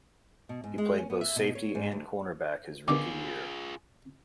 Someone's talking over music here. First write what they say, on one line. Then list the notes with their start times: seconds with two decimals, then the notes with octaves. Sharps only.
He played both safety and cornerback his rookie year.
0.49 B2
0.64 G#2
0.78 G#3
0.98 C#4
1.10 B3
1.21 E5
1.36 B2
1.55 C#5
1.75 G#2
1.92 D2
2.88 D3 D#3 B3 F4 G#4 D6